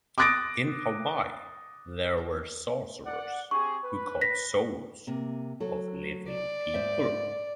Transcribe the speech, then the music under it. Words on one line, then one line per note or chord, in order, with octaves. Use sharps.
In Hawaii there were sorcerers who caught souls of living people.
D6 D#6 F#6 A6 A#6 D7
D5 F#5
C4 G4 G#4 C#6
B4
A#6 B6
C3 A#3
F#3 A4
D5
G#2 C5 E5